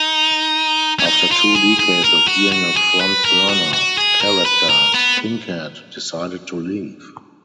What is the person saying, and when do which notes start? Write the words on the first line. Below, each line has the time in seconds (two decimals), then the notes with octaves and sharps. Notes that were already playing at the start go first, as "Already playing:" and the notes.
After two decades of being a front-burner character, Kinkead decided to leave.
Already playing: D#4
1.00 C#4
1.06 D#4
1.31 F4
1.55 G#4
1.79 G#4
2.04 A#4
2.28 F#4
2.52 F#4
2.77 G#4
3.01 B4
3.25 A#4
3.49 F#4
3.73 F#4
3.97 G#4
4.21 A#4
4.45 B4
4.70 A#4
4.94 B3